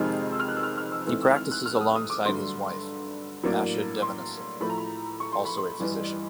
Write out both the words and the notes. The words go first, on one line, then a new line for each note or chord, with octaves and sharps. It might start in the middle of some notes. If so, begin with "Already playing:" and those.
He practices alongside his wife, Asha Devanesen, also a physician.
Already playing: F2 C3 D#3 G#3 C4 F6
E6
F6
F#6
E6
F6
F6
E6
G#2 E3 A3 C4 E6
E6
F6
F#6
F6
E6
D#6
D#6
D6
G2 D3 F#3 A3 C6
A2 F#3 A#3 D4
C6
A2 F3 A3 B5
A#5
B5
C#6
C6
B5
C6
A1 G2 E3 G3